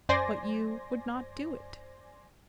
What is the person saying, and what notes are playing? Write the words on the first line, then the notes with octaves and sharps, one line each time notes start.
But you would not do it.
F#2 C5 D5 G#5 C6 A#6